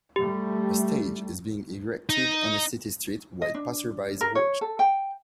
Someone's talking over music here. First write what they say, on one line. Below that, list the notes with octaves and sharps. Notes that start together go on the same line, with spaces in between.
A stage is being erected on a city street while passersby watch.
G3 A3 G4
D#4
D#5
D4
A#4
C#5
A4
G5